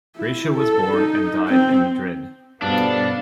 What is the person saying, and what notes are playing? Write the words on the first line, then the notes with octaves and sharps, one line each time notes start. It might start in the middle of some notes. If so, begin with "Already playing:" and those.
Gracia was born and died in Madrid.
E4
A4
D#4
C4
G2 B2 F3 B3 D4 A4 B4 F5